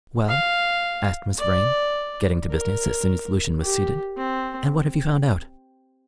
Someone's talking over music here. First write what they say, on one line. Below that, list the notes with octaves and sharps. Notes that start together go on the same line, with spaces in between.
"Well?" asked Miss Vrain, getting to business as soon as Lucian was seated, "and what have you found out?"
F5
D5
A#4
G4
C4